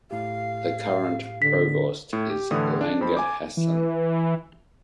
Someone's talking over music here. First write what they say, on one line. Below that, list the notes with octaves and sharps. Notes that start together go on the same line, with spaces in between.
The current provost is Langa Hassan.
A2 G4 F5
D3 B6
A2
G4
A2 D3 E3 D#6
D4
F2 C5 B5
G#5 D6
E3